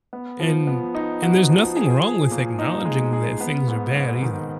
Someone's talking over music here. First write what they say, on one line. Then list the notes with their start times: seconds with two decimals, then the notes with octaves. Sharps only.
and and there's nothing wrong with acknowledging that things are bad, either.
0.13 B3
0.40 F3
0.67 B3
0.95 D#4
1.22 F#4
1.49 F3
1.76 G#4
2.04 G#4
2.31 A#2
2.59 D#4
2.85 G#3
3.13 G#4
3.40 B3
3.68 G#2
3.95 G#2
4.22 D#3